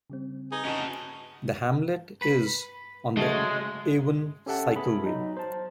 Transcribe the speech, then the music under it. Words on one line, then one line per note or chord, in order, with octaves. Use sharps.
The hamlet is on the Avon Cycleway.
C#3 G3 C4
D#4 G#4 B4
C#4 F#4 D#5 A5
B4 B5
C#3 F#3 G#3 A3
C#4 G4 A4 E5 F#5 A5
B3 G#4 B5
F#3 D#4
C5 A5